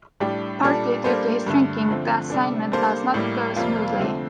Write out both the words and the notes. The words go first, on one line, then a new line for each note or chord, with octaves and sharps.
Partly due to his drinking, the assignment does not go smoothly.
A2 G3 D4 G4
A#2 G3 D4 A4
G3 A#3 D4 A4 C5
G2 D3 A3
D3 F3 A3 C4
C3 G3 D4 A4
G3 A#3 D4 A4 C5
A2 G3 A#3
F2 C3 G3 A#3 F4
D3 F3 A3 C4